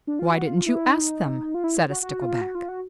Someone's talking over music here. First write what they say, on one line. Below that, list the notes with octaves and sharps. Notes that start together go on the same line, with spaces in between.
"Why didn't you ask them?" said a Stickleback.
D4
F4
F#4
F4
E4
D#4
F4
E4
F#4
F#4
F4
F#4
F4
F#4